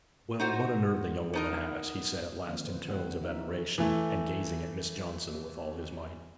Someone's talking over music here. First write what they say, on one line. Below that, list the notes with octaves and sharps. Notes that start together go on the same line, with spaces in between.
'Well, what a nerve the young woman has!' he said at last in tones of admiration, and gazing at Miss Johnson with all his might.
D#4 F4 F#4 C5
B3 D#4 A#4
D3 D#3 F3 A#3 C4 C#4
A#2 B4 C5
A#3 C4 D4 G4 B4 F#5
F3 D#4 E4 E5
E3 D#4 G#4 B4 C#5
E3 A3